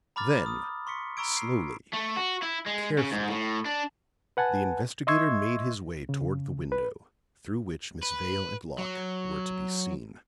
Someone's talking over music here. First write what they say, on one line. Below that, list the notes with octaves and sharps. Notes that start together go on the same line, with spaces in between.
Then slowly, carefully, the investigator made his way toward the window through which Miss Vale and Locke were to be seen.
A#5 B5 D6 F6 A6
D#6
C6 C#6 B6 C#7
A#5 B5 C#6 E6 G#6 D7
C7
A3
F#4
E4
G#3
C#3
G#2
A2
D4
B4 F#5 G#5 A5
D#5 E5 C6 C#6 E6 G#6
C#3
B4
B4
F#3